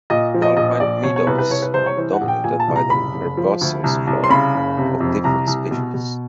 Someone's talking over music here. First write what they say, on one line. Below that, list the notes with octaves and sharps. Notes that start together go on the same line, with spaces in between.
The alpine meadows are dominated by the herbaceous flora of different species.
A#2 D#5
F3
D#5
A#1 D#5
A#1 D5
B2 C#5
C#5
C2 B4
B4
C2 C#5
B4
C2 C5
C#5
E3 C5
F#5
A#1
G5
A#2 G#5
A5
C2
A#5
F#1 B5
F#1
F3
D2
C2
C2
C6
C#3 B5
F#1
C3
F2
C2 A#5
C2
B2
B2